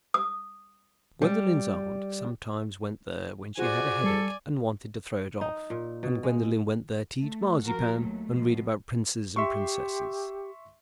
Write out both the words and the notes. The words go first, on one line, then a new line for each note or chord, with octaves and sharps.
Gwendolen's aunt sometimes went there when she had a headache and wanted to throw it off; and Gwendolen went there to eat marzipan and read about Princes and Princesses.
D#6
G3
F4 F#4 G#4 C5 D5 G#5
G3 A4
D#4
A#2
B2
G#3
A3
F3 F#4 A#4
D#2 F#3 A3
B2 F3
G4 E5 C6 C#6